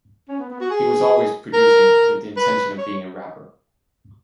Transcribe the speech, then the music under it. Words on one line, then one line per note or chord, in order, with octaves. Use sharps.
He was always producing with the intention of being a rapper.
C#4
B3
B3
F#4
G#4
A#4
B4
C#5